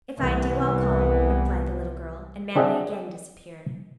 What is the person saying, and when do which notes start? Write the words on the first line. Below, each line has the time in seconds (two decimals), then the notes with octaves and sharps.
"If I do I'll call," replied the little girl, and Mammy again disappeared.
0.17 C2 E3 B3
2.56 C4 D4 G#4 D#5 E5 F#5